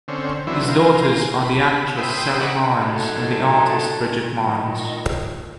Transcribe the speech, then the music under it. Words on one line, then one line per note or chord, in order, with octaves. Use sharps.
His daughters are the actress Sally Miles and the artist Bridget Miles.
D3 C4 C#4
D3 E3 F#3 B3 C4 E4
F4 A#4 C5
B5
C5 E5 G5 B5 D#6
D#5 F#5 A#5 B5 C#6 D6
D3 F#3 D#4 F#4 G#4 A4
A#2 D#3